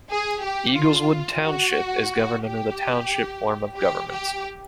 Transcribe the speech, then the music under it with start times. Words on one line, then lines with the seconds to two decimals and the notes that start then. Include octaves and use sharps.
Eagleswood Township is governed under the Township form of government.
0.10 G#4
0.44 G4
0.77 F4
1.44 F#4
2.45 G4
3.78 G4
4.11 G4